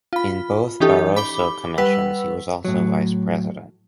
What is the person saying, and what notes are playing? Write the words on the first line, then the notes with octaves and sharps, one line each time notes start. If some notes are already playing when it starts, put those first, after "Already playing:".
In both Barroso Commissions he was also vice-president.
F4 B5
E3 C#4 D#4 G4 A4
B5 D6 G7
G3 B4 F#5 E6
A2 F#3